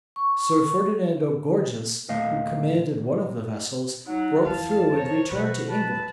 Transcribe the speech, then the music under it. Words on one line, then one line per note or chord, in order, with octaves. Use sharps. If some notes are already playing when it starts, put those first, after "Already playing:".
Sir Ferdinando Gorges, who commanded one of the vessels, broke through and returned to England.
C#6
D#2 A#2 A3 D#5 F5
F#3 D#4 F#5
F2 E3 E4 F5 A5
A#4 C5 C#5
B2 F#4 B4 C#6
B4 A5